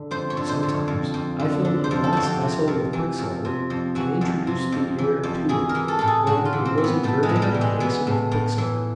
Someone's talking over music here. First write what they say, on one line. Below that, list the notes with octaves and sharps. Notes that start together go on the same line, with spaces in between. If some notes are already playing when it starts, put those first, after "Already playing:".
Sometimes, I filled a glass vessel with quicksilver, and introduced the air to it, when it was inverted in a bason of quicksilver.
Already playing: D3
F2 C5
C#5
D3
C5
D3
C#5
F2
F2
D3
D3
C5
F2
A4
F2 F#4
G4
C3
F2
E3
F2
C3
F2
E3 F#4
F2
C3
F2
E3
F2
E3 G#4
A#4
E3
A4
A2 A4
G#4
A2 F#4
F4
E3
C4
E3
B3
A2 A3
G#3
A2
F#3
G3
E3
G#3
E3 B3
A2
A2
E3